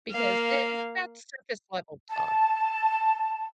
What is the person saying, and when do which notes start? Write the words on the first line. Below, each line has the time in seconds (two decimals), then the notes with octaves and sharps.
Because then it's not surface level talk.
0.11 A#3 F5
2.09 A5